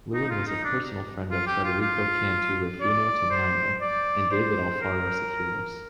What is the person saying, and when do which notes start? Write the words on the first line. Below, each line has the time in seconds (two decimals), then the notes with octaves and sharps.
Lewin was a personal friend of Federico Cantu Rufino Tamayo and David Alfaro Siqueiros.
0.13 D#4
0.30 F4
0.47 D#4
0.64 D4
1.30 F4
1.47 G4
1.63 F4
1.80 F4
2.80 D5
3.30 C5
3.81 D5
4.31 C5
4.81 A#4